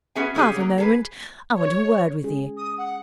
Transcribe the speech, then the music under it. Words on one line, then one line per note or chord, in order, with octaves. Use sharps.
Half a moment: I want a word with you.
B3 C#4 F#4 G#4 E5 G#5
C#3 A3 C#4 G4 G#4
F#3 A#3
G#4 A4 B4
C#5
G#3 C#4 G#4
D#6
F#5